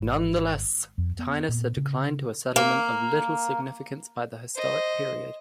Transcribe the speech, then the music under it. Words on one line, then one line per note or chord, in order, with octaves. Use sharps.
Nonetheless, Thinis had declined to a settlement of little significance by the historic period.
G#1
F2
B3
A#2
C#3
A#3
C5 D#5